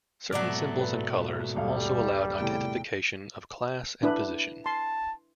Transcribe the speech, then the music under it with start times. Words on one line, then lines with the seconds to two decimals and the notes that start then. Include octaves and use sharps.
Certain symbols and colors also allowed identification of class and position.
0.33 G#2 B2 F#3 A3 D5
0.81 B4
1.56 D#1 G3 F5
2.38 E2 A2 C3 G5
4.03 D4 E4 B4
4.66 A5 C6